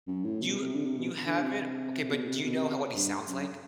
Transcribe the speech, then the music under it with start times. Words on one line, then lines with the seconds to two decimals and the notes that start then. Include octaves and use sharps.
You you haven't? Okay, but do you know how what he sounds like?
0.07 F#2
0.24 A2
0.42 B2
0.58 C3
0.75 D3
0.86 C3
0.98 B2
1.25 D3
1.43 C3
2.09 B2
2.27 C3
2.43 B2
2.55 C3
2.95 G2
3.28 F#2